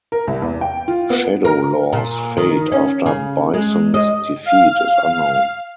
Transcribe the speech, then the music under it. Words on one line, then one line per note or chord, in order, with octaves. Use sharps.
Shadowlaw's fate after Bison's defeat is unknown.
A#4
C2
E2
G5
F4
B3
A#4
A#2
D#3
C#4
C#3
G#3
D#5
F5